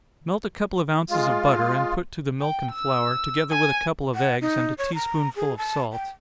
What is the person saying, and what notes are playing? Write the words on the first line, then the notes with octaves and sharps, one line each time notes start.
Melt a couple of ounces of butter, and put to the milk and flour, together with a couple of eggs, and a tea-spoonful of salt.
G#3 F4
G5
E6
G#5
F#5
D#4
C#5
A#5
G#4
A5
G5